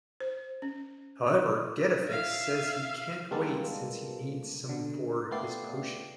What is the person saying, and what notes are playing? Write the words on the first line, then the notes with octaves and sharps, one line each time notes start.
However Getafix says he can't wait since he needs some for his potion.
C5
C#4
E5 F5
G3 G#3 A#3 B3 F4 A4
B2 D3
A3 B3 F4 G4 D5 C7